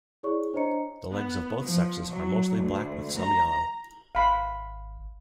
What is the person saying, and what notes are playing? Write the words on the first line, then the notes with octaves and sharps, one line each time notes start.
The legs of both sexes are mostly black with some yellow.
E4 G#4 C#5 D5 C#6
D4 C5 C#5 D#5 A#5 C#7
B3
F3
F#3
D2
A#5
G#1 F5 B5 C6